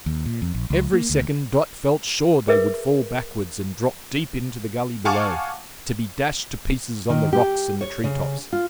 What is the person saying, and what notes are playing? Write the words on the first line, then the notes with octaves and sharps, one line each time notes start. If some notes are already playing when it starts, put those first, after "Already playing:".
Every second Dot felt sure they would fall backward and drop deep into the gully below, to be dashed to pieces on the rocks and the tree tops.
D#2
A#2
F2
A#1
C#2
A#3
D2
G#4 A#4 B4 E5
F5 F#5 G#5 A5 C#6 D6
D#3
G4
C#5
C#3
F4